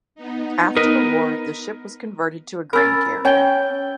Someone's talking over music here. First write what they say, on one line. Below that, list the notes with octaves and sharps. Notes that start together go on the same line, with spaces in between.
After the war the ship was converted to a grain carrier.
B3 D#4
A#4 B4 D#5
C#4 A#4 B5 E6 A6
C#4 C#5 G5 G6 G7